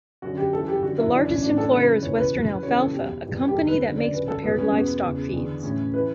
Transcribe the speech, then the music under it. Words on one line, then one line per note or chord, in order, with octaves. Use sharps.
The largest employer is Western Alfalfa, a company that makes prepared livestock feeds.
F#2 D3 F#4
G4
F#2 E3 A4
G4
F#2 D3 F#4
E4
F#2 E3 D4
C#4
A2 E3 D4
A4
F#2 C#3 E3 B4
E2 C#3 E3 C#5
B4
F#2 E3
F#2 C#3 E3 C#5
A4
E2 B2 G4
G2 E3
G4
E2 D3 A4
B4
F#2 D3
D5
F#2 D3 B4
A4
G2 E3 B3
C#4
E2 B2 B3
E2 C#3 E3
E2 D3
A2 E3 C#4
E3 B4